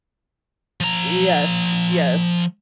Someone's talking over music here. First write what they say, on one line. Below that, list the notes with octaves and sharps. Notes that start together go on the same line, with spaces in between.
Yes. Yes.
F3 A#5